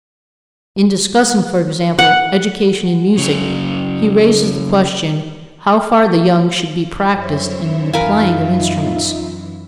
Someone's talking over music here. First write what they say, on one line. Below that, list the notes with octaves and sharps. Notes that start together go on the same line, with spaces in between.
In discussing, for example, education in music he raises the question how far the young should be practiced in the playing of instruments.
F#5
C#3 F#3
F#2 E3 C5 C#5 E5
D#4 F4 A#4 B4 E5 F5 G#5